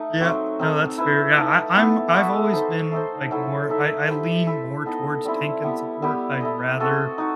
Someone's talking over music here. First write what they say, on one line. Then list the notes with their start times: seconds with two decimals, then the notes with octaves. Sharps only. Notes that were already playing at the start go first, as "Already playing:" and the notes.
Yeah no, that's fair, yeah, I I I'm I've always been, like, more I I lean more towards tank and support; I'd rather,
Already playing: A3 D#4
0.21 F#3 C4 F#4
0.59 C4 D#4 A4
0.98 E4 B4 E5
1.37 A3 D#4 A4
1.75 B3 E4 A4
2.14 B3 F#4 A4 E5
2.52 D#4 A4 C5
2.92 A3 D#4 A4 C5
3.31 F#3 A3 E4 A4
3.69 D#4 A4 E5
4.08 E4 G4 C5
4.47 A3 E4 A4 E5
4.86 B3 D#4 A4 D#5
5.25 G3 C4 E4
5.63 B3 E4 G4
6.02 G3 B3 E4 G4
6.41 E4 A4 D#5
6.80 C4 F#4 A4 D#5
7.18 D#4 F#4